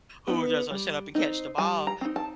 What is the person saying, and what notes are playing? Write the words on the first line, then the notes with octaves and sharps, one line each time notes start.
who are just, like, "Shut up and catch the ball,"
B3 D#4
G3
C4 D#4
G3 G#5
A#5
C4 D#4
A5